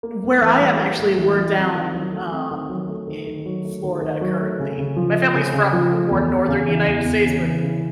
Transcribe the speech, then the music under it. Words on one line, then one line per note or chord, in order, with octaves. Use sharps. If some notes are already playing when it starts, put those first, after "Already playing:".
where I am actually, we're down, um, in Florida currently. My family's from more Northern United States, but, uh,
A#3
A2
E3
G3
A#3
A2
E3
G3
C4
D#3
F#3
A3
C4
D#3
F#3
A3
D#3
D#3
F#3
A3
D#3
D#3
F#3
A3
C#3
C#3
F3
A3
C#3
C#3
F3
A3
E2
E2
C#3
E3
E2
E2
C#3
E3
C#3